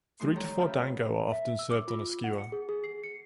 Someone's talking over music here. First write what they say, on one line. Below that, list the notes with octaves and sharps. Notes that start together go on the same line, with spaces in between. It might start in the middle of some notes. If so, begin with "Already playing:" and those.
Three to four "dango" are often served on a skewer.
D#3 G3 A3 D#4 C6
G4 A4 C#5 D5 G5 A#5
C#3 F4 C#5 E5 G5 B5
E5
E6
D6
F4
F#5
C#7
G#4
G#4
C7
C#7